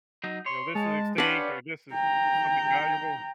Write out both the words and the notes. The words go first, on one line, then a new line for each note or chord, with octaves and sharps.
you know, this is extinct or this is something valuable."
F#3 D#4
C#5 C6
G#3 A5
C#4 D4 F4 G4 B4 F#5
G5 A#5